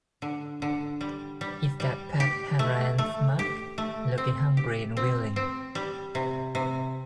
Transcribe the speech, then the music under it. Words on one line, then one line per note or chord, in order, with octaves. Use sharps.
Is that Pat Hanrahan's mug looking hungry and willing.
D3
D3
G3
G3
G3
G4
A3
A3
G4
A3
C4
G4
C4
C4
G3
C3
C3